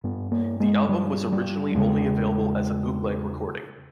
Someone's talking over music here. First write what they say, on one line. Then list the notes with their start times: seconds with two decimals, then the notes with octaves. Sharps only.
The album was originally only available as a bootleg recording.
0.04 G2 B3
0.32 A#3
0.60 G#3
0.89 G3
1.32 G3
1.74 E2 C#3 G#3